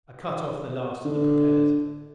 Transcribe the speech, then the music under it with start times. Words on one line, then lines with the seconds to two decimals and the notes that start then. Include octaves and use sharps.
I cut off the last of the propellers.
1.05 D3